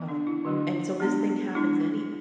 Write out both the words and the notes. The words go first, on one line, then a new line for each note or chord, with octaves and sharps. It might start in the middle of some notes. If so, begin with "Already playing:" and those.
um, and so this thing happens anyway.
Already playing: E3 B3
D4
E4
D3 F#3 A3 D4 F#4
G#3 B3 D4
G#3 D4 E4